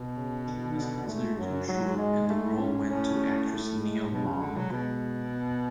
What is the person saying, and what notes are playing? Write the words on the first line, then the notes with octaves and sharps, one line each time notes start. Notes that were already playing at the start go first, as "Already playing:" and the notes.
She was considered too short and the role went to actress Nia Long.
Already playing: B2
C#3
D3
D3
G#2 A3
F#2 F#3
G#2 F#3
G#3
A3
C#4
A2 C#4
A3
G#3
B2 F#3
C#3
D3 G#3
F#3
B2 G#3
B3